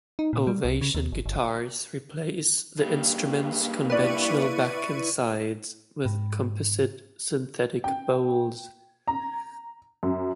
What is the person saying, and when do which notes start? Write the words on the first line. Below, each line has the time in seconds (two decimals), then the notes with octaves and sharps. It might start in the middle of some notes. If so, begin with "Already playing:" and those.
Ovation guitars replace the instrument's conventional back and sides with composite synthetic bowls.
0.19 D#4
0.33 A#2
0.47 G3
0.64 C2
0.81 C#3
0.95 D#2
1.12 G1
1.26 G1
2.79 G#2 G3 A#3
3.90 E4 B4 D5 C#6 D#7
6.05 G#2
7.84 G5
9.08 A#5
10.03 F#2